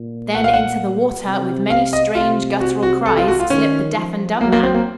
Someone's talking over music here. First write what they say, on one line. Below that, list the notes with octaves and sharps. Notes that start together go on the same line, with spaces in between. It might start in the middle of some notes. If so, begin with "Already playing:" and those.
Then, into the water, with many strange, guttural cries, slipped the deaf and dumb man.
Already playing: A#2
F#5
F5
F#5
C3
F5
D#5
C3 F4
F#4
F#4
A4
F4
F#4
F4
D#3 C#4
F3
F#3 A#3
A#3
C4
A#3